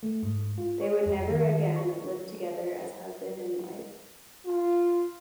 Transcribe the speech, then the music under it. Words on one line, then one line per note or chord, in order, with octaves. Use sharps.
They would never again live together as husband and wife.
A3
G#2
F4
C#5
F2
D#3
C#6
F4